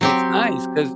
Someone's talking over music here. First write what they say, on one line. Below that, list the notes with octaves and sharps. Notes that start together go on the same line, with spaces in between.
it's nice 'cause
F#3 C4 G4